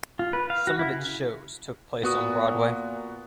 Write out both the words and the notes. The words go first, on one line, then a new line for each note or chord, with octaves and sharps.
Some of its shows took place on Broadway.
F4
B4
F5
F#4
E4
C#3
A#2 B3 F#4 D#6